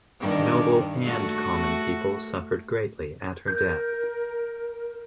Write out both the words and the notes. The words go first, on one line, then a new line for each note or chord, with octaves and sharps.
Noble and common people suffered greatly at her death.
G2 D#3 G3
A3 F#4
A#4 G6